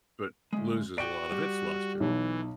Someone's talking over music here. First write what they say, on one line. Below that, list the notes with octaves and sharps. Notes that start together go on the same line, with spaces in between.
but loses a lot of its luster.
D2 G#3
F#4 D5 G5 D7
G3
B1 E3